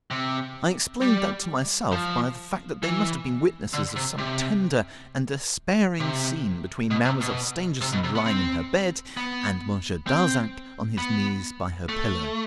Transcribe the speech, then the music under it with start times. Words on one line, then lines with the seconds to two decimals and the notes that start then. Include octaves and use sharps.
I explained that to myself by the fact that they must have been witnesses of some tender and despairing scene between Mademoiselle Stangerson, lying in her bed, and Monsieur Darzac on his knees by her pillow.
0.11 C3
1.02 G3
1.92 F3
2.83 E3
3.73 D3
3.96 C3
4.18 C3
6.00 C3
6.91 B2
7.05 C3
7.21 B2
7.81 C3
7.93 B2
8.04 C3
8.15 B3
8.26 C4
9.17 B3
10.07 C4
10.98 B3
11.89 A3